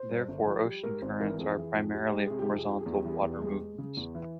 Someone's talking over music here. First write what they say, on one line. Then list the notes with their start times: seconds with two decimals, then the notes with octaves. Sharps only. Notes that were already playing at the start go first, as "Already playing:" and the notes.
Therefore ocean currents are primarily horizontal water movements.
Already playing: C5
0.10 G2
0.28 G1
0.46 F3
0.65 G3
0.83 G#2 A#4
1.02 G#1 C5
1.20 E3 A#4
1.39 F2 G#4
1.58 E3
1.75 F2
1.94 G3
2.12 G#3 G4
2.26 C3 G#4
2.39 G4
2.50 F2 G#4
2.66 F3 G4
2.79 G#4
2.86 E2
2.93 G4
3.05 E3 G#4
3.19 E2 G4
3.32 G#4
3.42 G#3 G4
3.60 G#3
3.78 C#3
3.97 E2
4.15 E3